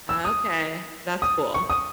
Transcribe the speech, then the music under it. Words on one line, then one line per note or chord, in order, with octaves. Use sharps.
Okay. That's cool.
E6
D#6
D#6
C#6
D#6